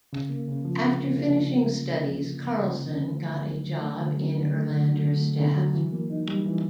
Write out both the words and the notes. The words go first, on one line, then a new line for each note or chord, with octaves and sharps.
After finishing studies Carlsson got a job in Erlander's staff.
C#3
A#3
C#3
F3
C#3
A#3
C#3
F3
C#3
A#3
C#3
F3
C#3
A#3
C#3
F3
D3
A3
D3
F#3
D3
A3
D3
F#3
D3
A3
D3
F#3
D3
A3
D3
F#3
E3
A#3
D#4
G3
E3